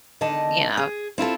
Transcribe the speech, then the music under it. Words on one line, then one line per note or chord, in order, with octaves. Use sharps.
you know,
E2 D3 D#3 D#5 A5
G#4
C4 E4 F4 A4